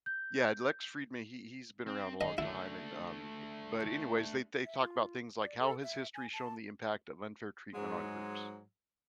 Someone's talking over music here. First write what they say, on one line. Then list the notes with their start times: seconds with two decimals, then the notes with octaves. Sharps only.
Yeah, Lex Friedman, he he's been around a long time and, um b but anyways, they they talk about things like how has history shown the impact of unfair treatment on groups.
0.06 G6
1.87 C4
2.21 D#4 G#4 D#5
2.38 A3 D4 E4
4.65 E5
4.82 F4
5.41 D5
5.59 A4
5.83 E5
6.15 G#5
6.33 A5
7.73 G#2 F#3 G#3